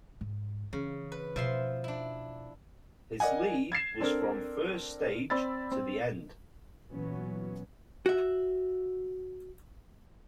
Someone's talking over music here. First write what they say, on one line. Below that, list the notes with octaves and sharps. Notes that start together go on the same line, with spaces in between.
His lead was from first stage to the end.
G#2
C#3 E3
B4
B2 F3 E5 C6
D4 E4
A#4 D5 D#5 F#5 G#5
G#6 A6 C7 E7
C4 D4 A4 A#4
C4 D5 B5 E6 A6
C4
A#2 E3 F#3 B3 C#4
F#4 E5